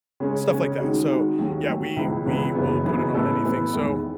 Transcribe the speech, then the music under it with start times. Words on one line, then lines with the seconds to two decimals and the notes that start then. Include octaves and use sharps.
stuff like that, so, yeah, we we will put it on anything, so
0.20 C#3 G#3 C#4
0.50 C#3 G#3 C#4
0.80 D#3 G#3 D#4 F#4
1.09 D#3 G#3 D#4 F#4
1.39 D#2 D#3 F#3 A3
1.68 D#2 D#3 F#3 A3
1.97 C#2 C#3 E3 B3 E4
2.26 C#2 C#3 E3 B3 E4
2.55 F#1 F#2 C#3 E3 B3
2.85 F#1 F#2 C#3 E3 B3
3.14 A2 E3 B3 E4 A4
3.44 A2 E3 B3 E4 A4
3.73 E2 D#3 G#3